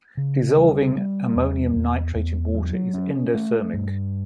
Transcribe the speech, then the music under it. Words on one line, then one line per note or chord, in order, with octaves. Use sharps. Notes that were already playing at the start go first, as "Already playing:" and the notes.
Dissolving ammonium nitrate in water is endothermic.
C#3
G3
G3
E2
E2
E2
F#3
C#4
A3
G2